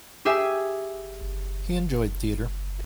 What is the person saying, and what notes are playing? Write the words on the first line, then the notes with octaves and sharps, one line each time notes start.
He enjoyed theatre.
G4 G#4 E5 G#5